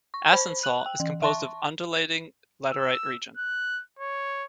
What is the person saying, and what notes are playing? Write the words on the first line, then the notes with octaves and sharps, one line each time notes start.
Asansol is composed of undulating latterite region.
C#6
C5 B5
F#6 F#7
G5
E3
E5 A5 C6 C#6
E6
F#6
C#5